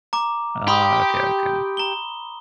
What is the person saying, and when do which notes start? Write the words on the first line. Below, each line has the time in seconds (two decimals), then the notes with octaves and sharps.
Oh, okay, okay.
0.13 A#5 D6
0.68 G4 B5 C6 D#6
1.77 A#5 G7